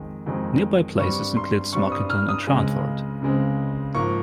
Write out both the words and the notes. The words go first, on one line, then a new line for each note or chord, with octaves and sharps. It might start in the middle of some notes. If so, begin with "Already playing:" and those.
Nearby places include Smockington, and Sharnford.
Already playing: F2 D#3 G#3
F2 D#3 G#3 C4
G2 G3 C4 C#6
C6
G2 G3 C4 C#6
D#6
F6
D#6
C#2 C#3 G#3 C4
C#2 C#3 G#3 C4
G#2 F3 A#3 C#6